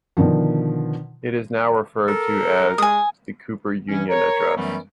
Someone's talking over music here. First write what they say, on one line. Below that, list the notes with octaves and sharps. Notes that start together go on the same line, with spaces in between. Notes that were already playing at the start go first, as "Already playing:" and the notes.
It is now referred to as the Cooper Union Address.
B2 D3 D#3 F3
A4 A#4
G#3 G#5 D#6
E3 C#4
A#4 C#5
F#2 E3 F#3 G3 A3 B3